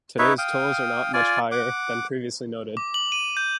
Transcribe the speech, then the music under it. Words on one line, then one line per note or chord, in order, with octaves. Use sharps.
Today's tolls are not much higher than previously noted.
D#4 B4 C#5 E5
F5 G5 D#6
F4 D5 G#5
F#5 D6
D6
F#7
D#7
G6